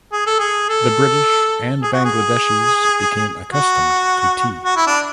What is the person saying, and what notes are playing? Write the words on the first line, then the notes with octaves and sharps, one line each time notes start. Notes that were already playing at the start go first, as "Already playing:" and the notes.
The British and Bangladeshis became accustomed to tea.
G#4
A4
G#4
A4
G#4
F#4
G#4
F#4
F#4
E4
D4